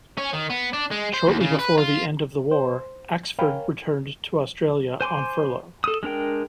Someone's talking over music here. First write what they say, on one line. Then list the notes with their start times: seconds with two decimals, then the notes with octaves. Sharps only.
Shortly before the end of the war, Axford returned to Australia on furlough.
0.18 C#4
0.33 D#3
0.50 B3
0.73 D4
0.92 G#3
1.14 C5
1.28 D#2
1.41 C#3
1.59 B4
1.78 F4
2.51 C5
3.39 A#4 C#5 F5 G5 G#5 B5
5.01 C5 G#5 C6 D6
5.84 A4 D#6
6.03 G#3 D4 A#4 G5